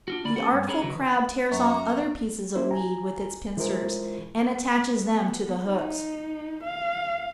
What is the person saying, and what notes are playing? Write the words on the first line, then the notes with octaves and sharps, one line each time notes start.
The artful Crab tears off other pieces of weed with its pincers, and attaches them to the hooks.
D4 F4 F#4
D2 A#3 D5 B5
A3 C#4 G4 A4 F#5
G2
C#4 D4 G#4 A#4 C#5 B5
C#3 E3 F#3 F#4 B4
F#2 F#4 A#5 C#6
A#3 C#4 E4 C5
G#5 A#5
E3 G#3 E4 F4 A#4 C5
B3
D#4
F5